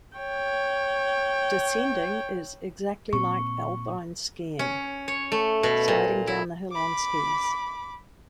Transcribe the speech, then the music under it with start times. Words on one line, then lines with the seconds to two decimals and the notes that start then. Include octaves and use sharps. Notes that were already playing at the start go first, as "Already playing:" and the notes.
Descending is exactly like alpine skiing: sliding down the hill on skis.
0.17 C#5 G5
3.13 A#2 C4 C#6
4.59 C#4
5.08 C#5
5.32 A3
5.63 B2
5.88 A#2
6.27 E4
6.72 B5 D6